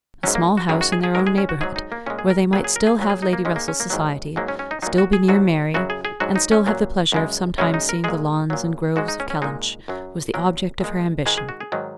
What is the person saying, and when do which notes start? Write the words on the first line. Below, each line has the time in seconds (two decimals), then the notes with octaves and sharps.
A small house in their own neighbourhood, where they might still have Lady Russell's society, still be near Mary, and still have the pleasure of sometimes seeing the lawns and groves of Kellynch, was the object of her ambition.
0.23 G#2 F#3 C#4
0.35 A#3
0.57 F#4
0.69 F#2 D#3 G#3 G#4
0.81 F#4
0.92 G#4
1.03 G#4
1.15 G#2 G#3 A#4
1.27 G#4
1.38 C#4
1.49 F#4
1.61 G#2 F#3 G#4
1.76 D#4
1.92 A#3
2.06 A#2 G#3 C#4
2.19 G#4
2.30 A#4
2.53 A#2 G#4
2.56 F#3
2.64 G#4
2.76 A#4
2.87 G#4
2.99 A#2 F#3
3.10 G#4
3.22 D#4
3.33 A#3
3.45 G#2 G#3 C#4
3.56 A#3
3.68 C#4
3.80 A#3
3.90 G#2 D#3 F#3
4.36 G#2 F#3 A#3
4.48 C#4
4.59 C#4
4.71 D#4
4.82 A#2 F#3 D#4
4.98 F#4
5.13 G#4
5.28 G#2 F#3 F#4
5.74 F#2 C#3 F#3 F#4
5.90 G#4
6.05 G#4
6.20 G#2 F#3 F#4
6.36 D#4
6.52 C#4
6.67 A#2 F#3
7.12 F#2 C#3 G#3
7.58 F#2 C#3 G#3 C#4
7.74 D#4
7.89 A#4
8.04 A#2 G#3 G#4
8.50 A#2 F#3
8.96 G#2 G#3 F#4
9.08 D#4
9.20 C#4
9.30 C#4
9.42 A#2 G#3 D#4
9.88 F#2 F#3
10.34 A#2 F#3 A#4
10.80 A#2 G#3
11.26 G#2 D#3 G#3 G#4
11.37 G#4
11.49 F#4
11.60 G#4
11.72 G#2 D#3 F#3